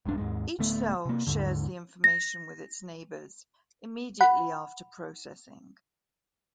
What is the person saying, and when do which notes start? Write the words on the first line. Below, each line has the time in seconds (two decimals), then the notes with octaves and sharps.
Each cell shares the information with its neighbors immediately after processing.
0.06 F1 C2 G#2 D4
0.18 D#2 G#2 G#3
0.59 D1 D2 A3 B3
1.05 C3 A#3
1.27 D#2 G#2 D3
2.04 A#6
4.21 F#5 B5